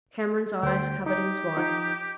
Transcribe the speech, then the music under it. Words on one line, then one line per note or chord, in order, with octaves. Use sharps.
Cameron's eyes covered his wife.
D2 C5 G5
D#4 G4
F3 D#4